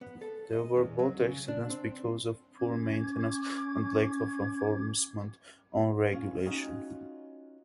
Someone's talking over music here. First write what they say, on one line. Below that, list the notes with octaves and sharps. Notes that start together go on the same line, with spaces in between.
There were boat accidents because of poor maintenance and lack of enforcement on regulation.
B3
A4
D#5
E2
F#3
C#3
D4
C4
C#4 D6 G#6
C#4 F4
C#4 D#4 F4 F#4